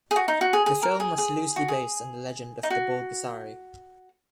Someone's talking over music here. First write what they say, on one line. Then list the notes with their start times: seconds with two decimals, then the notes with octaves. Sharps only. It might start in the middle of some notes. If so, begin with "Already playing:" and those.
The film was loosely based on the legend of the Bulgasari.
0.11 G#4
0.16 F#4
0.28 D#4
0.41 F#4
0.53 G#4
0.66 G#4
0.83 A#4
1.00 G#4
1.18 G#4
1.56 F#4
1.68 G#4
2.63 D#4
2.70 F#4